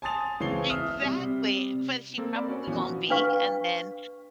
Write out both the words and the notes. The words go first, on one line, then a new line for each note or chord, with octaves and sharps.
Exactly, but, she probably won't be, and then,
G#5 A5 C6 D#6 A6 F7
C#2 E3 C4 C#5 C7 G7
E5 D#6 F6
C3 G3
A#3 C4 A4
A#4 C5 D5 B5
C#4 F#4 D5
A#2 E3 F3 B3 C#4 F#4
D4 B4 F5 C#6